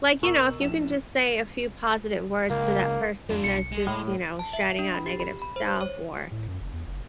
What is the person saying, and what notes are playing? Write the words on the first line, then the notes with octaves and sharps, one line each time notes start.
Like, you know, if you can just say a few positive words to that person that's just, you know, shouting out negative stuff or,
B2 A#4 C#6 E6 E7 F#7
A#1 A2 E7
C#2 A#3
F2 D4 F4
B1 C#7
G#3
A2
A5
E5
D4
B5
G4
B5
B5
C5
C#5
A2
F#2
F#1
E2
F#1